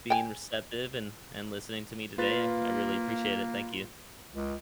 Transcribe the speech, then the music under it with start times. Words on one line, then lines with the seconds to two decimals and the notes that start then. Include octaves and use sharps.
being receptive and and listening to me today. I I really appreciate it, thank you.
0.10 G5 G#5
2.18 A#3 F4 B4 A6
4.35 C#2